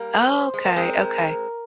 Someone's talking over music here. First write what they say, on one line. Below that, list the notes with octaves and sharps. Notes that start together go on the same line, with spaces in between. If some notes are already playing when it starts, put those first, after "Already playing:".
Okay. Okay.
Already playing: G3 A#3 A#4
C5
G#3
A#3
G#3 C4 A#4